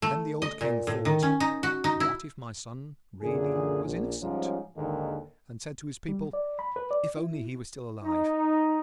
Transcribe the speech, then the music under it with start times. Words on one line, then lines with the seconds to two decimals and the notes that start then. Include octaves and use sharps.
Then the old King thought, 'What if my son really was innocent?' and said to his people, 'If only he were still alive!
0.02 A3
0.42 D#5
0.61 A#2
0.87 A2
1.05 D#3
1.23 C#4
1.40 D#4
1.63 F#4
1.84 D#4
2.00 E4
3.22 F#2 A#2 D3 G#4
3.84 A#1
4.21 G#2 F3 G3 C#4
4.76 D#2 G#2 D3 D#3 G#3
6.09 G3
6.33 D5
6.59 B5
6.76 B4
6.91 D5
7.17 E4
8.03 D#4